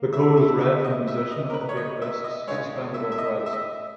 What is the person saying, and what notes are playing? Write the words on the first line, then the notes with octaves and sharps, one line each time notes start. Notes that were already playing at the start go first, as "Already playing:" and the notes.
The code was read from the position of paper discs suspended on threads.
Already playing: A#3
E5
E5
E5
D#5
E5
D#5
A#4
B4
C#5
D#5
E5
D#5
C#3 G#3 C#5
E5
E5
D#5
E5
D#5